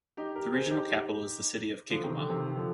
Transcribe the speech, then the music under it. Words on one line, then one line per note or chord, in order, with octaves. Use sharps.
The regional capital is the city of Kigoma.
D#4 G4
G4 A#4
G#4 C5
D#4 G4
D3 F3
C3 D#3
D3
C3 D#3
D3 F3